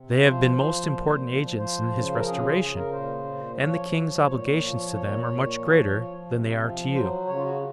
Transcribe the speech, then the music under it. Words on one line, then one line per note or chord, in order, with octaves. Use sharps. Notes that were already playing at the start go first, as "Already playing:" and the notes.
They have been most important agents in his restoration, and the king's obligations to them are much greater than they are to you.
Already playing: C3
F3 C5
F3
A#2
F3
F3 C5
C#3
A#4
C#3 G#4
F4
C#3 G#4
A#4
A#2 C5
A#2
F3 C#5
F3
C5
A#2 C#5
F3
A#2 C#5
A#2
F3
F3
C3
F3
F#3 C5
C#3 C#5
F4
F#4